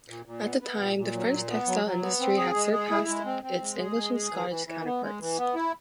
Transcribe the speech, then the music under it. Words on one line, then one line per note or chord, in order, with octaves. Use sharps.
At the time, the French textile industry had surpassed its English and Scottish counterparts.
A#2
A#2
B3
B3
A#2
A#2
F#3
A#2
B3
F#3
F#3
B3
C4
G#4
G#3
G#4
E4
G#3
C4
C4
G#3
G#4
G#3
G#4
E3
E3
E3
B3
G#3
E3
B3
E4